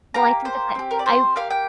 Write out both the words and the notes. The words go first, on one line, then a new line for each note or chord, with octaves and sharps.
Well, I think that that I
A#3 G4 A#5
C5
C4 G4
A#4
D5
C5
A#3 G4 F5
G5